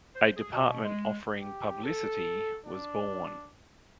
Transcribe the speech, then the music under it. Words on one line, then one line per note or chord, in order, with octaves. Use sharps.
A department offering Publicity was born.
C5
G#4
B2
G#3
G4
A4
D4